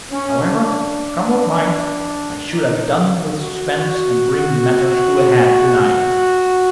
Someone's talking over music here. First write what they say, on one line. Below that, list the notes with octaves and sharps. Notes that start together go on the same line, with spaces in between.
However, come what might, I should have done with suspense and bring matters to a head to-night.
C#4
D4
D#4
F#4
F#4